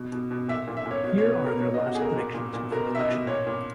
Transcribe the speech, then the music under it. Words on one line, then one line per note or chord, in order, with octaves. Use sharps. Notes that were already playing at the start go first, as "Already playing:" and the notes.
Here are their last predictions before election day.
Already playing: B2
B2
B2
A#2 E5
A#2
E5
A#2
C#5
B2 C#5
C#5
B2
B4
B2 A#4
B2 C#5
D#5
B2
F#4
B2 G#4
A#4
A#2
A#2
A#2
B2 A#4
B2 E5
D#5
B2
A#2 C#5
A#2